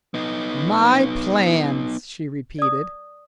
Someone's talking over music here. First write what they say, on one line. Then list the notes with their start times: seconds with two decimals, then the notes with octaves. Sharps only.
"My plans," she repeated.
0.14 B3 D#4
2.59 D5 D#6